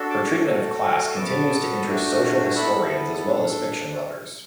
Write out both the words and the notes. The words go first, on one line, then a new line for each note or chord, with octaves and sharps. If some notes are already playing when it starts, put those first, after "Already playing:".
Her treatment of class continues to interest social historians as well as fiction lovers.
Already playing: D4 F#4 A4
A5 D6
A5 D6
A3 F#4 A4
B3 F#4 A4 A5 D6
A3 D4 F#4
B3 E4 A4 B5 E6
D4 A4